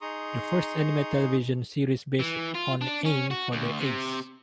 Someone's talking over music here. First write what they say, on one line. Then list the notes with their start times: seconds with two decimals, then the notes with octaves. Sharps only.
The first anime television series based on Aim for the Ace!
0.01 D#4 G#4 A#5 C6 C#6 D#6
2.19 E3
2.55 F4
2.81 D4
3.05 C#4
3.31 F#4
3.52 D2
3.80 C3